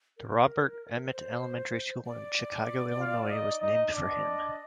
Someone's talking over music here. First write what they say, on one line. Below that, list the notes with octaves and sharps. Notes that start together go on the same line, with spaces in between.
The Robert Emmet Elementary School in Chicago, Illinois was named for him.
A#4
C5
D5
F4 F5
D#4 D#5
D#4 D#5
D4 D5 D#5